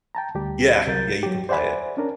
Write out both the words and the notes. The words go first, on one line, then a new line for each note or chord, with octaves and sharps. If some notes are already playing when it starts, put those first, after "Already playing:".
Yeah, yeah, you can play it.
G5 A5 A#5
D2 G3 G4
C2 F#3 A#4 G6 A6
F#3 G4
C5 D5 E5 F#5 G#5 B5
C#4 D4 A#4